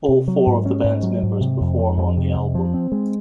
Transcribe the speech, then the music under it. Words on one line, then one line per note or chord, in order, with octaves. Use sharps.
All four of the band's members perform on the album.
C3
F#3
G#2
C#4
G#2
F#3
G#2
C3
F2
F3
F2
C3
F2
F3
C4
G#3